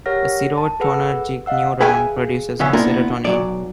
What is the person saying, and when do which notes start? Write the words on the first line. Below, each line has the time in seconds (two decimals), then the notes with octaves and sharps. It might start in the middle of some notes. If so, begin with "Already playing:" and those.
A serotonergic neuron "produces" serotonin.
0.06 G4 A#4 C#5 F#5 F6 A#6
0.58 A5
0.80 G#4 A4 B4 F#5 B5 E6
1.46 D#5 F5 F#5 E6
1.80 G#4 B4 E5 F5 G5 G#5
2.59 B1 F2 C#3 B3 C#4 E5
2.73 A#3 B3 D4 E4 F4 A#4
3.25 B1 F#3 D5